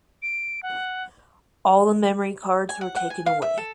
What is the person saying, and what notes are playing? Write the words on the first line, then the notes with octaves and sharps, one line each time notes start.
All the memory cards were taken away.
D7
F#5
G#5
F#5
F#5
G#5
F5
E5
A4